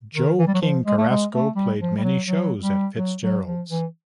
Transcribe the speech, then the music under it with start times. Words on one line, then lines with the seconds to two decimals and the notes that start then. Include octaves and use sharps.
Joe King Carrasco played many shows at Fitzgerald's.
0.15 D#3
0.38 E3
0.47 G3
0.54 F#3
0.62 F3
0.85 G#3
0.98 A3
1.09 G#3
1.33 A3
1.56 G3
1.79 F3
1.97 G3
2.03 F#3
2.26 F#3
2.62 G3
2.97 F#3
3.21 F#3
3.45 F3
3.69 E3